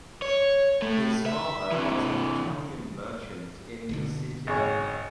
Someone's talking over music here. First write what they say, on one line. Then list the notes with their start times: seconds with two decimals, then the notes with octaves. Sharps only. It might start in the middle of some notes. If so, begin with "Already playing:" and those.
His father was an Italian merchant in the city.
0.22 C#5
0.82 A2 A3
1.26 E5
1.71 C3 E3
3.89 F#1 B2 D3
4.47 G#1 G#2 C#5